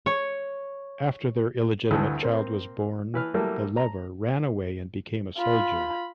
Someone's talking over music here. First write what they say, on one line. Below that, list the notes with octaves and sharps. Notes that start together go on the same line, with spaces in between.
After their illegitimate child was born, the lover ran away and became a soldier.
C#5
D2 G2 D3 E3
A#3 C4
E3 B4 F6
E3 F#3 G3 A3 A#3
A#5
F4 B5